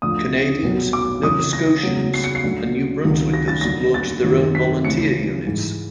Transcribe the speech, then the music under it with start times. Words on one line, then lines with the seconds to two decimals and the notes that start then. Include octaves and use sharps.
Canadians, Nova Scotians, and New Bruswickers launched their own volunteer units.
0.02 D2 D3 F3 D#6
0.62 C2 B2 F#3
0.93 D6
1.23 F2 C#3 E3 D#6
1.53 A#6
1.83 E2 C#3 F#3
2.14 C7
2.24 C#7
2.35 C7
2.43 D2 D3 F#3
3.04 C#2 C3 D#3 F#3
3.34 A#6
3.48 A6
3.61 D#2 D3 F#3 A#6
3.94 A6
4.24 F#2 D#3 F#3
4.55 B6
4.85 D2 C#3 E3 C#7
5.45 G#2 E3